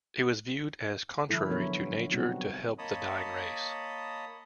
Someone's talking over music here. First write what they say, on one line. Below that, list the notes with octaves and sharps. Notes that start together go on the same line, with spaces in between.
It was viewed as contrary to nature to help the dying race.
D3 F3 G3 E4 A4
B2 F#3 B3 D4 A#4 C#5
B2 G3 B3 C4 D#4 F#4
A#3 C#5 D#5 A5 B5 D#6